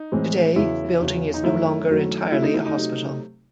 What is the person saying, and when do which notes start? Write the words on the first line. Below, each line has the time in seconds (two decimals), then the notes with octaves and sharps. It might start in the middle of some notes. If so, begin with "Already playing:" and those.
Today, the building is no longer entirely a hospital.
Already playing: D#4
0.12 A2 E3 G#3 C4
0.56 E2 C#3 F#3 E4
1.00 E2 C#3 F#3
1.34 D#4
1.44 F#2 D#3 F#3 A3 E4
1.88 F#2 D#3 F#3 A3
2.32 C3 F#3 A3 E4
2.42 D#4
2.54 E4
2.66 D#4
2.76 C3 F#3 A3